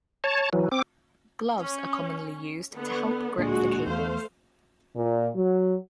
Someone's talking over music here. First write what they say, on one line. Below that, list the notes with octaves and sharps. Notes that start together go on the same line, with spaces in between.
Gloves are commonly used to help grip the cables.
C#5 A5
E3 F#3
C4 D6
C#4
D3 B3
D1 A#2 G#3 D4 F#4
E2 A3 C5 F5
A#2
F#3